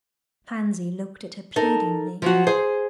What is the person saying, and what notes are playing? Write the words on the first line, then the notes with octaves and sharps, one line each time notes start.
Pansy looked at her pleadingly.
D#4 A4 A#4
F3 F#3 F#4
G#4 C5